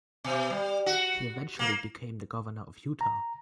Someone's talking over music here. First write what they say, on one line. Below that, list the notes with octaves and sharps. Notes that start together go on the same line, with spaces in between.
He eventually became the Governor of Utah.
B2
G3
F#4
A#3
A#5